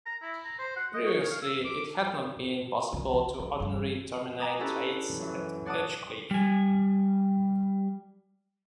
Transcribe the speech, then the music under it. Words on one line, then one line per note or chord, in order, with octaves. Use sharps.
Previously it had not been possible to ordinarily terminate trains at Edgecliff.
A#5
E4
A#5
C5
F#5
D#5
C#5
C#5
F5
E6
D6
D3
D3 E3
E3
G2 E3
G5 G#5 A#5 D6 D#6
C#4 D4 E4 G4 A4 B4
F#2 E3
C#5 D5 F#5 A5 D6 D#6
G3 G#5